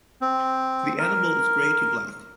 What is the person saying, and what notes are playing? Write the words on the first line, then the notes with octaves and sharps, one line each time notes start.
The animal is grey to black.
C4
A#4